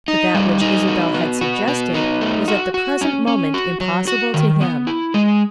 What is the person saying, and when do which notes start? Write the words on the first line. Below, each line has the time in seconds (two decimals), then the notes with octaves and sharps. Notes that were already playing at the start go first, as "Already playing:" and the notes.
But that which Isabel had suggested was at the present moment impossible to him.
0.08 D#4
0.34 G3
0.61 D#4
0.88 F#4
1.14 B3
1.41 F#4
1.68 B3
1.94 D#4
2.21 A3
2.48 F#4
2.74 F#4
3.01 C#4
3.27 C#4
3.54 F#4
3.81 F#3
4.07 F#4
4.34 D#3
4.61 B3
4.87 E4
5.14 G#3